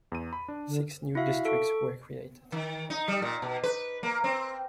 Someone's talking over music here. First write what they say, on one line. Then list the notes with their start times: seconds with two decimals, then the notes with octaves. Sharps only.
Six new districts were created.
0.12 E2 D#7
0.33 B5
0.48 D4
0.68 D3
1.15 E4 F#4 E5 F5
1.45 A4 C#6
2.52 D#3
2.90 D#4
3.08 G3
3.22 A#2
3.42 B2
3.63 B4
4.03 A#3
4.24 C4